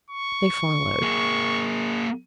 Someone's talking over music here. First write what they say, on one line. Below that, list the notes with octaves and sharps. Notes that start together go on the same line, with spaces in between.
They followed.
C#6
A#3 G#4